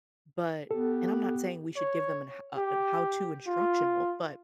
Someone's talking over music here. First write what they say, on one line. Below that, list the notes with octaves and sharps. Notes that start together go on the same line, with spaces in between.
but and I'm not saying we should give them an ha uh, a "how-to" instructional, but
B3 G4 A4
C#5
G4
F4